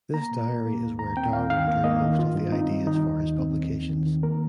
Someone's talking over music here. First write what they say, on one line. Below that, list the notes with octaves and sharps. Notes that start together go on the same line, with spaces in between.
This diary is where Darwin drew most of the ideas for his publications.
A#3 A#5
A#2
A#3
A#3
D#2
D#2 A#5
C4 G5
D#2 F5
D#3 F5
A#3
A#3 D#5
D#3
G2 F4
G2
C4 D#4
G3
D#3 D#4
D#2
D#2
C4
D#2
D#2
D#3
D#3
A#3 A#4